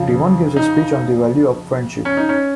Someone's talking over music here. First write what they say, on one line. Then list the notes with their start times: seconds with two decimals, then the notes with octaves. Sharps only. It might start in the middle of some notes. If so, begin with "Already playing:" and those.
Timon gives a speech on the value of friendship.
Already playing: F2 C#3 F3
0.56 D#4
2.05 C#4
2.17 D#4
2.29 C#4